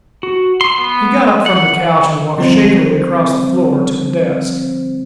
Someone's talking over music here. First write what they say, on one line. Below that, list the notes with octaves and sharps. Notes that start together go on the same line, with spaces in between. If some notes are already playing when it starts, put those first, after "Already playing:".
He got up from the couch and walked shakily across the floor to the desk.
F#4
C6
B3
F#5
D3 F3 G3 C4 C5